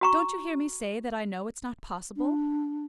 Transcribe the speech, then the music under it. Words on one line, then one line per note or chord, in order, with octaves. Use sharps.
Don't you hear me say that I know it's not possible?
F#4 A#5 C#6
D4